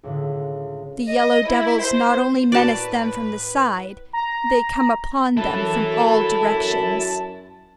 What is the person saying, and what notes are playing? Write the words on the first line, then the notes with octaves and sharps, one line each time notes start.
The yellow devils not only menace them from the side; they come upon them from all directions.
C#2 A2 D3
D#5
E4
C5
A2 F#4 A#4 B4 D5 A5
A#5
F#2 E4 A4 B4 A5